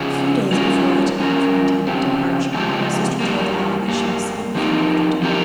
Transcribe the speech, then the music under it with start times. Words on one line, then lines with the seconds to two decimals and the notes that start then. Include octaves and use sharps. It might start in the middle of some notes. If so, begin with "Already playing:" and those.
A few days before the time of her intended departure my sister told Allan that she must speak with him after dinner.
Already playing: C#3 F3 C#4 G#4
0.52 G3 C#4 F4 A#4
1.20 G3 C#4 F4 A#4
1.87 C#3 F3 G#3 C4 G4
2.54 C#3 F3 G#3 C4 G4
3.20 G2 G3 A#3
3.88 G2 G3 A#3
4.55 F3 C4 D#4 G4 A#4
5.22 F3 C4 D#4 G4 A#4